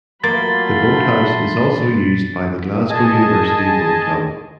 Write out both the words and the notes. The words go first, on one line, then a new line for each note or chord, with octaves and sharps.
The boathouse is also used by the Glasgow University Boat Club.
F#3 A3 A#3 F4 B5 C6 A6
G#4 D#5 G#5 A5